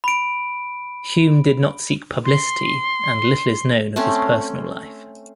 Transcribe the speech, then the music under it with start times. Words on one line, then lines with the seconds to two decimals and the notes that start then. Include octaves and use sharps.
Hume did not seek publicity and little is known of his personal life.
0.04 B5 D7
2.24 C6
3.96 A3 C4 C#4